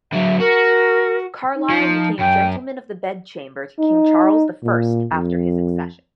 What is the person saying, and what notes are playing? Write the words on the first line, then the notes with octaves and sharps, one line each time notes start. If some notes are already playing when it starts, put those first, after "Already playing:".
Carlisle became gentleman of the bedchamber to King Charles the First after his accession.
D3 F#3 E5
F#4 A#4
D#4
F3
F#2 G5
D#4
A#2
F2